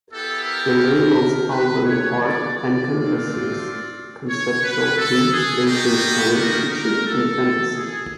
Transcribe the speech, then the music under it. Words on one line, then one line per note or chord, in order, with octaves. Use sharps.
The label's album art encompasses conceptual themes based in science fiction and fantasy.
B3 E4 G4 A4
A#4
B4
C#5
D5
D5
A3 C4 F4
C#5
B4
A4
G#4
G3 B3 D#4 F#4 G4
A#4
A#4
A4
G#4